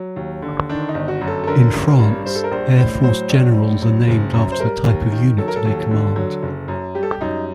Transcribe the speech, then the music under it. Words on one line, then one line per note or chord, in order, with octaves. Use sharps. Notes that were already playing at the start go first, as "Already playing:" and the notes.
In France, Air Force generals are named after the type of unit they command.
Already playing: F#3
D#2
D3
D#3 D4
D#4
G1
F#4
F#2
A4
A4
D3 A#4
A1
A#4
G2
G3 C5
A4
A#4
A#1 C5
A2 C5
F#3 C5
A#1
A2
F#3
F#1
F#2
C5
G3 A#4
D#2
D#3
F#3 A4
A#4
A4
D#2
D3
F#3
F#1
F#2
G3 G4
A4
G4
F#2 D#4